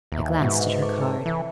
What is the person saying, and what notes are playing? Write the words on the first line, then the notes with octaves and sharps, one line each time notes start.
I glanced at her card.
D#2 E5 A#5
G#2 F#4 B4
A4 C#6 D6
A4 C#5 G5
E3 E4